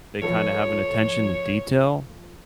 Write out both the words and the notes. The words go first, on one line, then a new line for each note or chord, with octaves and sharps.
they kinda have an attention to detail,
F3 A4 B4 C#5